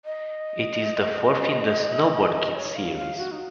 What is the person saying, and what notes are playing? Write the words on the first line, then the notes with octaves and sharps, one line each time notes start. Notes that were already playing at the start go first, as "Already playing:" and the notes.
It is the fourth in the "Snowboard Kids" series.
D#5
C#5
F5
F5
F#4
D#4